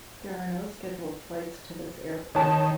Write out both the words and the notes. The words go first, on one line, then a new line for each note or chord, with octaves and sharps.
There are no scheduled flights to this airport.
D#3 C#5 A5